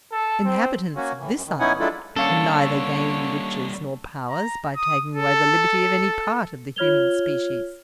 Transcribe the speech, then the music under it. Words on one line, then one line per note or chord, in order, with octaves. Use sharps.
Inhabitants of this island can neither gain riches nor power by taking away the liberty of any part of the human species.
A4
C4
A#3 C#4 F#4
A2 E3
F#2
D#3
B3 C#4 D#4 E4 F#5 G#5
F#3 G#3 D4 E4 F4 A4
D3 G3 A#3 C#4 A4 C#5 F5 C#7
A#5
D#6
A4
F4 C#5 F6 G#6 F7 G7